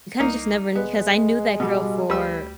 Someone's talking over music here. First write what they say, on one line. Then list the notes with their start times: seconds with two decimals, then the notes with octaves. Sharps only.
kinda just never kn 'Cause I knew that girl for
0.20 C2 A#3 D#4
0.75 D1 G#3 B3
1.60 B2 G3
2.10 D2 G3 B4 E6